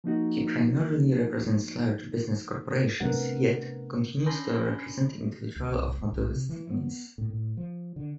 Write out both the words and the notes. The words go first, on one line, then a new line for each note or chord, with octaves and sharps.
He primarily represents large business corporations, yet continues to represent individuals of modest means.
F3 A#3 D#4 F#4
C3 A3 B3 D4 A#4 F#5
C#4 D4 B5 C6 A#6
D2
C2
E1
B1
C3
E3
B3
A2
A2
F3
D3